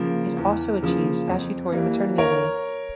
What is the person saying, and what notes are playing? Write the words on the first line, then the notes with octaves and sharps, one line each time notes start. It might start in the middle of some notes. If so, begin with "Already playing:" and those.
It also achieved statutory maternity leave.
Already playing: C#3 F3 A#3 A#4
E2
C#3 F3 A#3
F2
E3 G3 A#3
A#4 C#5